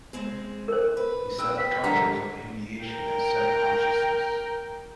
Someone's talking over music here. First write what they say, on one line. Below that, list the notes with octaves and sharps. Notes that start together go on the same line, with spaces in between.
He suffered tortures of humiliation and self-consciousness.
G#3 C4 G#4
A#4 C5
B4
B4 D#5 G5 E6
B6
D3 F3 G3 A4 A#4 A#5
A#4 G5